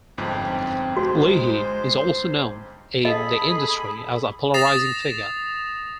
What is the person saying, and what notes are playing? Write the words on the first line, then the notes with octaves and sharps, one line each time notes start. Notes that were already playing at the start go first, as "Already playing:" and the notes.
Leahy is also known in the industry as a polarizing figure.
G1 F2 G#2 C4
G#3 F#4 C5
G#4 A4 D#5 B5
D#6 A6 A#6 C7 E7 F7